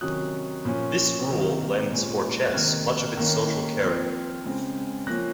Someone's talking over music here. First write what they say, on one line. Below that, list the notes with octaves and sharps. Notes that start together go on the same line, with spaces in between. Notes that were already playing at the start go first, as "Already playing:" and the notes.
This rule lends Forchess much of its social character.
C3 D#3 F#3 C#4 D#6 F#6
A#2 F3 A#3 C#4
C3 D#3 A#3
A#2 G#3 C#4
F#6
C3 D#3 A#3 F6 G#6
D#3 A#3 C#4
F3 C4 F6 G#6
C#3 G#3 C4
F3 A#3 C#4 F#6 A#6